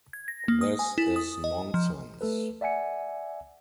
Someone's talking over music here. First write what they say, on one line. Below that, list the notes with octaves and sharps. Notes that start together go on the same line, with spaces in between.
This is nonsense.
G#6
A#6
A#3
D#6
G#5
E4
D#6
D#5
F3
A3 A4 B4
D5 E5 F#5 G#5 C#7